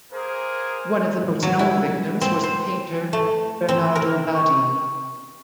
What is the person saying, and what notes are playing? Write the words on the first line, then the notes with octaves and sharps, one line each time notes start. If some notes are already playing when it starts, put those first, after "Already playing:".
One of the most known victims was the painter Bernardo Daddi.
A#3 G#4 A#4 C5
F#3
E4
C4
C5
A3
C4
A#4
C#6